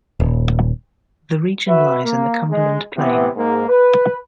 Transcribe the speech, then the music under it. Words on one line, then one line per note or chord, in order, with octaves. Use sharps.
The region lies in the Cumberland Plain.
D#1
F#4 B4 E5
A#3
G#3
C3 E3 B3
G#2 A#3
B4